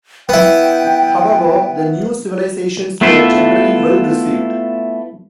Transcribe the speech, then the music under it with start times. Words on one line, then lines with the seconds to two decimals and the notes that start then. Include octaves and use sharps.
However, the new civilizations were generally well received.
0.29 B3 E4 G5
3.01 A3 B3 E4 F4 A4